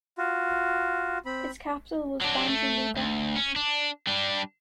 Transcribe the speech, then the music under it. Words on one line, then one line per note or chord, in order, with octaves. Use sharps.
Its capital was Banja Luka.
F4 F#4
C4 B5
F#3 D4
A3
D2
C#4
D4
G3 D4